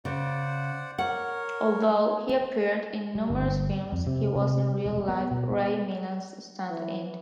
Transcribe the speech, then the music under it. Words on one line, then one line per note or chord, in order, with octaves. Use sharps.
Although he appeared in numerous films, he was in real-life Ray Milland's stand-in.
C#3 C5 D5 F#5
A#4 C#5 F#5
G3
G1
F2
C3
C3
E1
B3
B2
B3
E3